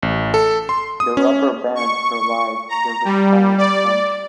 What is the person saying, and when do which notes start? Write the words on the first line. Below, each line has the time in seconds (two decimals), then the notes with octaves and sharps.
The rubber band provides the required tension.
0.03 A1
0.34 A4
0.69 C6
1.00 D#6
1.17 C#4
1.75 C#6
2.69 A#5
3.05 G3
3.58 D5